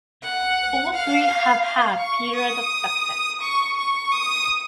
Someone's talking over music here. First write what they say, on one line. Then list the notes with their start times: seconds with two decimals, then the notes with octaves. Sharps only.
All three have had periods of success.
0.23 F#5
0.94 F5
1.65 F5
2.00 C#6
2.36 D#6
3.41 C#6
3.77 C#6
4.12 D#6